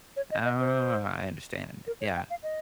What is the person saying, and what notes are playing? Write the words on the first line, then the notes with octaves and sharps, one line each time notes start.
Oh, I understand. Yeah.
C#5
D#5
D#5
C5
A#4
C#5
G5
F5
D#5